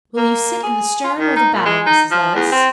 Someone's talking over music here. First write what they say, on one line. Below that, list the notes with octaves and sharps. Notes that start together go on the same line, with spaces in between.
"Will you sit in the stern or the bow, Mrs. Levice?"
A#3
G#4
F4
D#3
D#4
A#2
G#3
D#4
F3
E2
C4